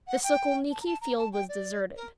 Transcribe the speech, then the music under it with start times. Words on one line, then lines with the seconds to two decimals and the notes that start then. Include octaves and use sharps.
The Sokolniki field was deserted.
0.07 F#5
0.23 G5
0.70 A5
0.80 A#5
0.86 A5
1.01 A#5
1.17 A5
1.32 G5
1.48 D5
1.96 A#4